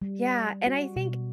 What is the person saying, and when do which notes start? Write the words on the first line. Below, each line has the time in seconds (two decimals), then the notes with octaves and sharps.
Yeah, and I think
0.02 G3
0.67 F#4
0.96 B2